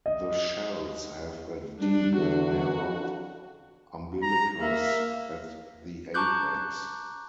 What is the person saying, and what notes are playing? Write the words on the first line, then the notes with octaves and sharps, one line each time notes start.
The shells have a deep, narrow umbilicus at the apex.
D#5
G3 D4
E2 D3 F#4
A#5
A#3 E5
A5 A#5 C#6 D6 F#6 G6